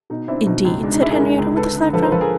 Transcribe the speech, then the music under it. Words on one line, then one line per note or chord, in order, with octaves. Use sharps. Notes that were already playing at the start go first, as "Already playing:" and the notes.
"Indeed?" said Henriette, with a slight frown.
B2 D#4
C4 D4 E4
B2 D#4
C#2
G#3 D4
D#4
G#3 D4 E4
G#4 A#4
G#3
C#2
D3 A4 B4
D3
F3 A4 B4
A#4 C5
F3 A4 B4
G#4 A#4